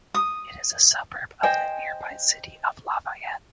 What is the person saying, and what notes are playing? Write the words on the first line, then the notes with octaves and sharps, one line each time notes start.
It is a suburb of the nearby city of Lafayette.
D#6
C5 D#5 G5 G#5